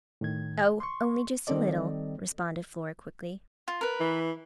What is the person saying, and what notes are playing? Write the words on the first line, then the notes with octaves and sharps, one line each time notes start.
"Oh, only just a little," responded Flora quickly.
A2 D#3 G#6
C6 C#6
D#3 G3 C4 A4 D5 D#5
F4
A#4 B4
E3